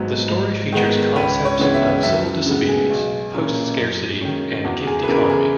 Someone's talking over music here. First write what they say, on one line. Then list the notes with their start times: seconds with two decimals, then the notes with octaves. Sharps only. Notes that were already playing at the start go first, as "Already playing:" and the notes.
The story features concepts of civil disobedience, post scarcity and gift economy.
Already playing: G#1 G#2 F#3 B3
0.29 G#2
0.72 D#3 G#3 B3
1.16 C#2 B4
1.45 C#5
1.59 C#3 E3 G#3 B3
1.74 E5
2.03 F#2 E5
2.46 C#3 G#3 B3
2.69 G#4
2.90 B1
3.34 A#2 A#3 C#4
3.77 F#2
4.21 D#3 G#3 C#4
4.65 E2 F#4
4.87 G#4
5.03 B4
5.08 C#3 E3 B3 A#4
5.30 G#4